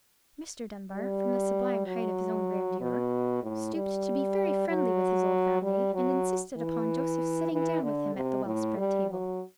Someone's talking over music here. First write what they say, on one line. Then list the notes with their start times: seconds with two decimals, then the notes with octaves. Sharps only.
Mr. Dunbar, from the sublime height of his own grandeur, stooped to be very friendly with his old valet, and insisted upon Joseph's sitting down with him at the well-spread table.
0.92 G3
1.86 F#3
2.81 B2
3.43 A2
3.75 G3
4.68 F#3
5.62 G3
5.94 F#3
6.57 E3
7.52 E3
7.83 D3
8.15 C3
8.46 A2
8.78 G3
9.09 F#3